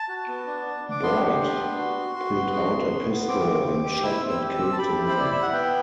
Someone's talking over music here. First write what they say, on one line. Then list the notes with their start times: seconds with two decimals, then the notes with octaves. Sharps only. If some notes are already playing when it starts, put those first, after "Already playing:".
Boyd pulled out a pistol and shot and killed the man.
Already playing: A5
0.09 F#4
0.28 B3
0.47 D4
0.66 D4
0.84 D4
0.91 D6
1.02 B3 C6
1.22 G4
1.40 D4
1.59 B3
1.78 F#4
1.96 F#4
2.16 F#4
2.34 B3
2.53 F#4
2.72 B3
2.91 B3
3.09 B3
3.28 C4 D6
3.47 C4
3.66 C4
3.84 G4
4.03 E4 E6
4.21 C4
4.29 E6
4.41 G4
4.53 E6
4.60 C4
4.72 A5
4.78 G4 B5
4.97 E4
5.08 C5
5.16 E4 D5
5.32 E4 E5
5.42 F#5
5.53 B3 G5